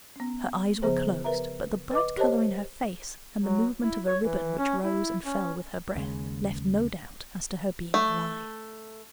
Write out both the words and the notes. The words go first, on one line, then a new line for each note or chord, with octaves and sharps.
Her eyes were closed, but the bright colour in her face, and the movement of a ribbon, which rose and fell with her breath, left no doubt as to her being alive.
B3 C#4
C#3 F3 B3 G#4 C5
A#4 B4 E5 A#5
B4 D#5 D6
G4 A#4 C5 C#5 D#5 A5
F#3
E4
C#5
E3
C#4
E4
C#4
D#2 C#3 G#3
A3